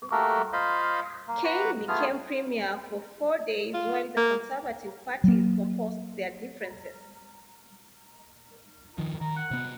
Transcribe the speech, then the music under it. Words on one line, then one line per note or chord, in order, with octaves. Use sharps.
Cain became Premier for four days while the conservative parties composed their differences.
A3 A#3 F#4 G4 A4 A#4
F4 C5 D#5 F5 B5
A#3
B4 F#5 A#5 C#6 D6
A3 B3 F4 G#4 F6
F4
A#3
F#3 A#3
D#3 F3
D#3 A#5
F#5
C3 B3